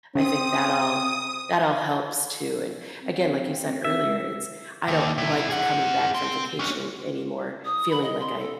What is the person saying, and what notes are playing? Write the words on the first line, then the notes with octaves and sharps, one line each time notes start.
I think that all that all helps, too, and, again, like you said earlier, it's I don't like coming back from vacation anymore feeling, like, I
C#3 C4 D#6
C4
E5
G#3
D#2
C3 E4
G#4 F#5
C4
C#4 D4
D#6
B5
D#5
C6
A4